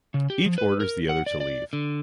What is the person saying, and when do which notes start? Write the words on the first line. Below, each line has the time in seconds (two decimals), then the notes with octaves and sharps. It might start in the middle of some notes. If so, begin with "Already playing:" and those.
Each orders the other to leave.
0.14 C#3
0.30 G4
0.46 F3
0.58 B4
0.80 A#4
1.09 F#5
1.26 D5
1.40 D5
1.73 D3